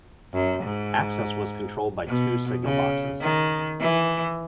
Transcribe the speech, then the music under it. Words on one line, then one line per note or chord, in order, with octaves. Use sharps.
Access was controlled by two signal boxes.
F#2
G#2
B2
C#3
D#3
E3